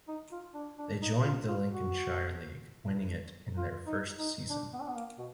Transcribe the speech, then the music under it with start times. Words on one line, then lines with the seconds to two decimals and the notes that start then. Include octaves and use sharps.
They joined the Lincolnshire League, winning it in their first season.
0.08 D#4
0.32 F4
0.54 D4
0.79 D4
1.02 D#4
1.25 F4
1.48 F4
1.71 F#4
3.57 F4
3.87 D#4
4.19 D#4
4.50 D4
4.73 B3
4.80 D4
4.88 B3
4.96 A#3
5.19 B2